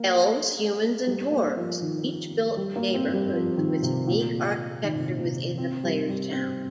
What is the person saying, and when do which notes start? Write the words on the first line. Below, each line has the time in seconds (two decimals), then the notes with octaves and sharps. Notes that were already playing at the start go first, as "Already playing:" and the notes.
Elves, humans and dwarves each built neighborhoods with unique architecture within the player's town.
Already playing: A#3
1.07 G3
1.31 A#3
1.57 F3
1.82 D#3
2.57 G3
2.76 A#3
2.94 C4
3.14 G3
3.33 F3
3.57 D#3
3.83 C3
4.07 A#2
4.83 D#3
4.95 C3
5.06 A#2
5.18 C3
5.58 C4
5.83 G3
6.09 G3
6.33 C4